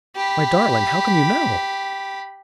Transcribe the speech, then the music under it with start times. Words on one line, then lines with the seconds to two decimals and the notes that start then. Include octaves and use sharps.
"My darling, how can you know?"
0.16 G4 B5